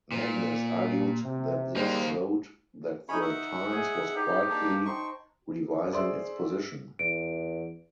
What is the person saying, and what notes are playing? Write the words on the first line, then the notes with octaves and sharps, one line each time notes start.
Magness argued that this showed that the "Times" was quietly revising its position.
A#2
C3
D#2 G3 G#3 A#3 C5
C#4 D#4 C#5 D#5 B5 C#6
E5 F#5
G#4 C#5 G#5
D#4 G4
A#3 D4 D#4 A5
D#4 C5 G5 C#6
G#4 C5 D5 E5 C6 E6
E2 D7